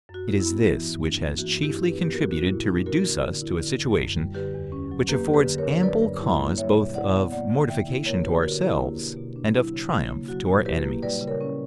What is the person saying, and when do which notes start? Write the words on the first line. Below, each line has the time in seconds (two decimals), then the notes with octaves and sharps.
It is this which has chiefly contributed to reduce us to a situation, which affords ample cause both of mortification to ourselves, and of triumph to our enemies.
0.09 F#2
0.14 F#4
0.28 E4
0.40 E4
0.45 B3
0.65 E3
0.83 G2
1.01 D4
1.20 A#3
1.38 E3 F#4
1.57 G2
1.63 E4 G4
1.75 D4
1.88 G4 B4
1.94 B3
2.03 G4
2.12 A#3 F#4 A#4
2.31 A#2 F#4
2.50 A#2 E4
2.68 D4
2.86 A#3 F#4 A#4
3.05 D3
3.24 D3
3.42 E4
3.61 D3
3.79 F#2
3.98 F#2
4.17 G3
4.35 D3 G4 B4
4.54 E2
4.72 C#4
4.91 F#3
5.09 A#3 G4 B4
5.29 D3
5.34 G4 B4
5.46 D3
5.58 A#4 C#5
5.64 D4
5.83 F#3 B4 D5
6.02 G2
6.21 E4
6.39 A#3
6.57 G3 C#5 E5
6.77 B2
6.94 E4 D5 F#5
7.14 B3
7.32 A#3 D5 F#5
7.50 D3
7.68 D3 E5 G5
7.88 E4
8.06 A#3 A#4 C#5
8.24 D3 G4 B4
8.43 D3 F#4 A#4
8.61 D4 E4 G4
8.81 A#3
8.99 B2
9.17 B2
9.36 D4
9.54 F#3 E4
9.74 C#3
9.92 C#3
10.10 A#3
10.28 F#3 F#4
10.47 A#2
10.65 E4 G4 B4
10.85 A#3
11.02 G3 B4 D5
11.21 C#3
11.28 A#4 C#5
11.41 C#4